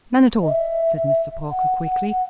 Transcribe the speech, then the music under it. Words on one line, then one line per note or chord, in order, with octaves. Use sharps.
"None at all," said Mr. Parker, quickly.
D#5
E5
F#5
F#5